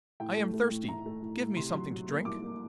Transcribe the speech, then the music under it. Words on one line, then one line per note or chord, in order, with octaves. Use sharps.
'I am thirsty; give me something to drink.'
A2 G5
A3
A3
A2
A2 A#5
A3
A2
A2
C3 C6
F#3
F#3
A#3
C2 D6
A#3